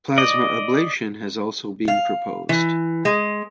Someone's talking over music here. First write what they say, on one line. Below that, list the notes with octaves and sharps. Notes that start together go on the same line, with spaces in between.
Plasma ablation has also been proposed.
D5 D#5
F5
E3
G#3